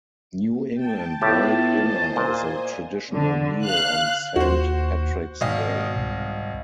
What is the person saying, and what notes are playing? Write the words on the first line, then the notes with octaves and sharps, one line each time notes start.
New England boiled dinner is a traditional meal on Saint Patrick's Day.
G5 A5 A6
A2 B3 E4 F4 G4 A5
C5 D#5 G#5
A#2
D3
F5 F#6
D#2 F#4 C5
G#1 B2 D#5 F5
C2